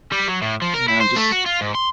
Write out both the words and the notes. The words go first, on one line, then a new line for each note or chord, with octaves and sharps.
you know, just
G3
F#3
A2
F3
A#4
E4
C5
A3
F#4
F4
G#2
C6